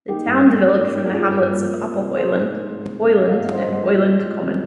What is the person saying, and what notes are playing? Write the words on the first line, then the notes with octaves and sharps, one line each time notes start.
The town developed from the hamlets of Upper Hoyland, Hoyland and Hoyland Common.
A#3 D#4 G4
G2
G2
A#3
G#2
G#2
A#4
G3 F4 G#4
G2
A#3
G#3
C3
C3
A#3 G#4 C5
G#2
G#2
G#3
C3
C3
A#3 D#5
F5
G2 D#5
F5
G2 C5 D#5
G#3 C5 D#5
A#2
A#2
G#3
C3